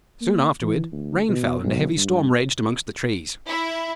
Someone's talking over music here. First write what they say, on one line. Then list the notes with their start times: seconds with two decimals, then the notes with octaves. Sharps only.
Soon afterward rain fell and a heavy storm raged amongst the trees.
0.21 A#3
0.62 E3
0.92 D2
1.29 B2
1.63 B1
1.97 G2
3.47 E4